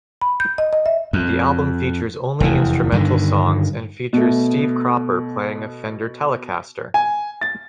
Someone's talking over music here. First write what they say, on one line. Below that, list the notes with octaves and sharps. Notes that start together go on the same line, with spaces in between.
The album features only instrumental songs and features Steve Cropper playing a Fender Telecaster.
B5
G6
D#5
D#5
E5
F2
F1 E2 E3
G2 D3 D#3
B2 A3
G#5
A6